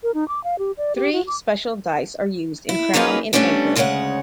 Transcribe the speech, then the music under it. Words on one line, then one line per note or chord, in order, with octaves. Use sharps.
Three special dice are used in Crown and Anchor.
A#4
D#4
D6
F5
G4
D5
G4
F#4
D6
E4
F#3 A#3 C#4 D#4 G#4 B4
G3 A3 B3 C#4 D4 F#4
D2 C#3 G#3 A4 C#5 F#5